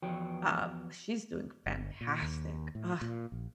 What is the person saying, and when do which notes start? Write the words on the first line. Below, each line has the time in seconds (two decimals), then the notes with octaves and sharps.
um, she's doing fantastic, ugh.
0.02 E2 F3 F#4 B4 C#5 G5
1.66 G1
2.01 A#2
2.22 D#2
2.75 A2
3.01 A#2
3.32 A#1